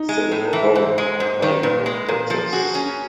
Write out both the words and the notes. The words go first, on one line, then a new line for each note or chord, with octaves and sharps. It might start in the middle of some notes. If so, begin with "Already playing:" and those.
Senator Tom Connally of Texas.
Already playing: D#4
G#3
A4
A2
A#4
E3
G#2 C5
G#3
G#2 C5
D#3
A#2 B4
G#3
A#2 A#4
F3
F#4 G#4
C#4